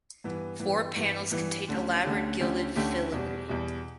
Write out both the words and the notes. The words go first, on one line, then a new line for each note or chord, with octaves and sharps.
Four panels contain elaborate gilded filigree.
G2 E3 B3
G2 E3 B3
G2 E3 B3
G2 E3 B3
D2 D3 A3 C#4 G4
D2 D3 A3 C#4 G4
D2 D3 A3 C#4 G4
D2 D3 A3 C#4 G4
E2 B2 G3
E2 B2 G3